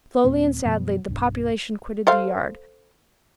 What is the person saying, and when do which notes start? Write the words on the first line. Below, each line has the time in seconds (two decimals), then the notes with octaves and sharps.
Slowly and sadly the population quitted the yard.
0.24 D#2 A#2 A3 C4
0.65 F#2 B2 F3 B3
1.08 B1 G2
2.07 A4 C5 F5